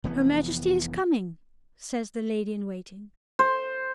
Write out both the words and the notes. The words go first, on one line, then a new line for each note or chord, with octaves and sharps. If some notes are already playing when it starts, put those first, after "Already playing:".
"Her Majesty is coming," says the lady-in-waiting.
F1 E3 B3
C5